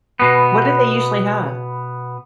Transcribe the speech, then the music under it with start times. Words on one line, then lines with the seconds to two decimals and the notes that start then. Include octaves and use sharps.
What do they usually have?
0.20 B2 B3